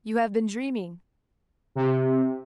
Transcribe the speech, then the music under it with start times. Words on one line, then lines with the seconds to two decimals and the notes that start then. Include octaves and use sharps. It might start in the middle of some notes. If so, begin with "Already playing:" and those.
You have been dreaming.
1.75 C3